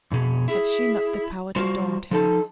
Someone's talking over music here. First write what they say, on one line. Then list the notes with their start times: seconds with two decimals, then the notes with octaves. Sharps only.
Had she not the power to daunt him?
0.12 F2 B2 G#4
0.48 E4 G#4
1.56 G3 F4 F#4 C5
2.11 F3 D#4 A4 A5